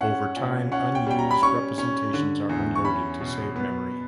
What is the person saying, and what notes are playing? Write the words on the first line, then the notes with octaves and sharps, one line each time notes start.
Over time, unused representations are unloaded to save memory.
C#4 F#5
A#2
C#4 F#5
G5
G3 G5
A#5
B5
C#4 C#6
C#4
D3
E2
C#6
C#4 B5
B2
B3